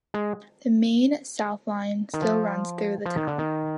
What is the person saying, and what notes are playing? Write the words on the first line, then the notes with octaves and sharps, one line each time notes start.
The Main South Line still runs through the town.
G#3
D#3
F3
F3
D#3
D3
D#3